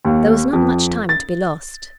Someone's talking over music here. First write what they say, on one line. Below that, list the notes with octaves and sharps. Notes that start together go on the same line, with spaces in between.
There was not much time to be lost.
D#2
F2
A6